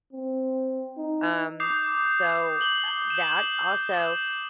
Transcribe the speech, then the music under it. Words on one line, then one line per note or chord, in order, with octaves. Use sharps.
Um, so, eh, that also
C4
D#4
D6 D#6 G6 C7
F#7 G7
G6 E7